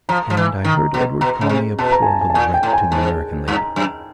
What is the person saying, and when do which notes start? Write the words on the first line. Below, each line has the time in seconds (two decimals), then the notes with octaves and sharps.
And I heard Edward call me a poor little rat to the American lady.
0.09 F3 A#5
0.30 F3
0.37 E3
0.65 D#3
0.94 B2
1.21 B2 A#5
1.41 C#3
1.49 C3
1.78 B2 A5
1.92 A#5
2.03 G#5
2.06 A5
2.21 G#5
2.30 A5
2.34 A#2 G#5
2.54 G5
2.63 A2
2.73 G#5
2.91 G#2 A5
3.48 G2
3.76 F#2